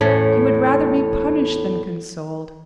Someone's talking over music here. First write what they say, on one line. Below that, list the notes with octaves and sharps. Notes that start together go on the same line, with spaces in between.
He would rather be punished than consoled.
E2 A2 C#4